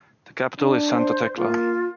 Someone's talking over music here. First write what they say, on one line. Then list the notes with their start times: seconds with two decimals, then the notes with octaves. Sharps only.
The capital is Santa Tecla.
0.60 D4
0.90 C5
1.36 A#3 F4